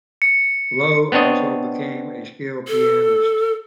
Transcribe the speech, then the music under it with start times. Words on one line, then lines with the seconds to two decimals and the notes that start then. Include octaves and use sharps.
Lowe also became a skilled pianist.
0.22 C#7
1.12 B3 C4 D4 C#5 D#5
2.68 A4